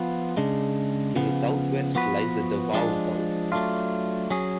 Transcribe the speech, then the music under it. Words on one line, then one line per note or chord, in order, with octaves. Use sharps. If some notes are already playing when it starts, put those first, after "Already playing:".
To the southwest lies the Davao Gulf.
Already playing: F3 B3 F4 B4
C#3 G#3 D4
C#3 F3 B3
F3 B3 F#4 B4
F3 G#3 D4
F#3 A3 D4 F4
F#3 C#4 G#4